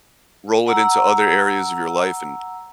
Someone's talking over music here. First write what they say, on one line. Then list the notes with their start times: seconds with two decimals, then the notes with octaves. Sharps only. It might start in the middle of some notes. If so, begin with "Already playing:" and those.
roll it into other areas of your life, and
0.67 F#5 A#5 E6